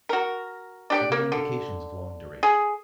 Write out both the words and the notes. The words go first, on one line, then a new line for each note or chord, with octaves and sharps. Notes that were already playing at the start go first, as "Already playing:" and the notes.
Other indications of long duration.
F#4 A#4
D4 G4 D5
A#3
D3
G#4